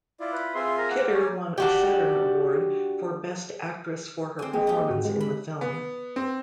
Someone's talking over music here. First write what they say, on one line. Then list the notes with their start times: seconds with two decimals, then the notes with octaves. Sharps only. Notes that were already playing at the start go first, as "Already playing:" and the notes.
Kidder won a Saturn Award for best actress for her performance in the film.
0.20 E4 F4 D5
0.33 B4
0.55 C4 F4 G#4 E5 C6
0.78 A#4
0.91 A#3 F#5
1.13 G#4 C#5
1.58 D4 F#4 G4
4.39 C4 G#5
4.53 G#3 A#3 G#4 G5
4.67 D#4 G4
4.88 G#2 F#4 D#5
5.05 G#3
5.20 B5
5.61 B3
6.16 C4